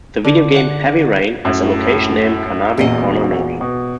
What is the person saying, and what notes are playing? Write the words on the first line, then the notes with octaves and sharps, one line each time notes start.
The video game "Heavy Rain" has a location named Carnaby Corner North.
D3
F#5
F#2 A2
E2 A#2 F#4 D#5
B2